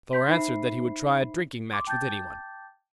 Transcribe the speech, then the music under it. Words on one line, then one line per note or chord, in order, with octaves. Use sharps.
Thor answered that he would try a drinking-match with any one.
C6 G6 B6
D#4 C5 E5 B5 C7
C6 D6
G5 A5 D6 G6 A6